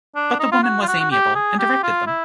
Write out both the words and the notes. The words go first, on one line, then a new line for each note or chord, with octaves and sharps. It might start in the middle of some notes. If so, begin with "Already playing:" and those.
But the woman was amiable, and directed them.
D4
D#4
F4
F#4
F4
F#4
F#4
G4
G#4
G4
F4
E4